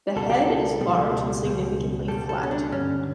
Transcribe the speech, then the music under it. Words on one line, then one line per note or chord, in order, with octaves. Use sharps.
The head is large and significantly flat.
C#2 B2 G3 A4
G4
A4
C#2 B2 G3
C#2 B2 G3
C#2 B2 G3 A4
A4
C#4
D4
G2 D3 G3 C#4